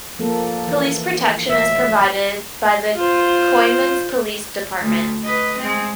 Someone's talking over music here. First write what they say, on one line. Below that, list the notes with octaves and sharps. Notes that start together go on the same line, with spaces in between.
Police protection is provided by the Coeymans Police Department.
F3 A#3 A4
E3
D1 E5
F4 C5
D2
B4 D#5
G#3 C4